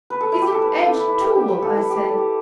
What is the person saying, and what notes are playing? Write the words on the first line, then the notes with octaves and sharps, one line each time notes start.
'He's an edged tool,' I said.
B4
A4
E4
G4
A4
B4
B4
A4
E4
E4
G4
G4
B4
A4
E4
G4
A4
G4